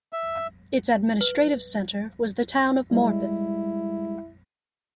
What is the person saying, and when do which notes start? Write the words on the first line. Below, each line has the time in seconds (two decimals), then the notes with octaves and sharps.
Its administrative centre was the town of Morpeth.
0.13 E5
1.21 B4
2.91 G3 G#3 E4